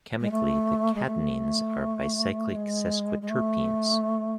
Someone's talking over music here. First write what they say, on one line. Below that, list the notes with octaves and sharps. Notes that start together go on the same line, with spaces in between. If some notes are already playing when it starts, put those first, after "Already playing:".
Chemically, the cadinenes are bicyclic sesquiterpenes.
G#3
A3
G#3
A3
G#3
G#3
A3